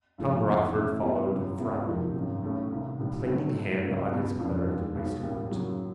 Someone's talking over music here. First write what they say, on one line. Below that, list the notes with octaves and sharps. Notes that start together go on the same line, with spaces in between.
Tom Rochford followed frowning, a plaining hand on his claret waistcoat.
G#1 G2 D3 F3 A3
F1 E2 B2 G#3
A2 E3 A3 C#4 E4
B2 G3 B3 E4 G4
G1 F#2 C#3 E3
C#2 B2 G#3 B3 E4
C3 F3 A#3 D#4
G#1 F#2 D#3
B1 A2 E3 A3 C#4
C2 C3 D#3
A#1 G#2 E3 G3
B2 F#3 A3 C4 D#4
G#2 E3 A3
C#2 C#3 F#3 A#3
C#2 B2 G#3 B3
F2 C#3 F3 A#3 D4
D#2 D#3 G#3
B1 B2 G#3
A1 A2 E3 G3 A#3
F#2 C#3 F#3 A#3